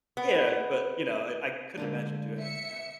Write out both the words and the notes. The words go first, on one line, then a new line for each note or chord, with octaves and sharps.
Yeah, but, you know, I I couldn't imagine doing it now.
B3
D3 G#3 A#3 D4
E5 C#7